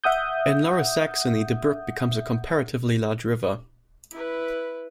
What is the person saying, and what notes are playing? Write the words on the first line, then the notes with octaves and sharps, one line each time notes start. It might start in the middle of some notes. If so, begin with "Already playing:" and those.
In Lower Saxony the brook becomes a comparatively large river.
E5 F#5 D#6 G6
E4 B4